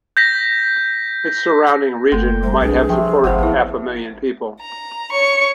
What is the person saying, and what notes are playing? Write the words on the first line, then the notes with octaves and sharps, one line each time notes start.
Its surrounding region might have supported half a million people.
G6 A#6 B6
F#1 A3 A4 G5 C6
G3 C5
B1 C4 D4 G#4 B4
C3 F3 A3 C4 G4 G5
G1 A2 C4 G#4 C5 F5 F#5 B5
A1 B3 E4 F#5
A#5
C#5 C#6